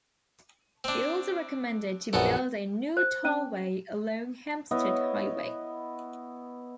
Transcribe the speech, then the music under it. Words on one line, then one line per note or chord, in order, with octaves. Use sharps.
It also recommended to build a new tollway along Hempstead Highway.
C4 D4
A#1 F#2 B3 F#4 A4 D5
C5
C#4
B3 E4 C#5 D#5